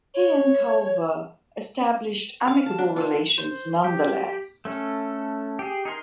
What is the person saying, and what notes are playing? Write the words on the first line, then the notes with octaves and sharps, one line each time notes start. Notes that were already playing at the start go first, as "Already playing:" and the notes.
He and Culver established amicable relations nonetheless.
C#5
F5
A5
D4
F4
C5
G4
A3 C#4 A4
G4 G#4
D#4 G#4 A#4 C6